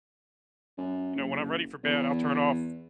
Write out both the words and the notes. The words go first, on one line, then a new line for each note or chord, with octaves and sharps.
you know, when I'm ready for bed, I'll turn off
F#2
F#1
E2